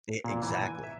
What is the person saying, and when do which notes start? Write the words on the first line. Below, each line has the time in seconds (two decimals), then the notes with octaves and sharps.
E exactly,
0.24 A#2
0.42 E3
0.66 G#5
0.84 E5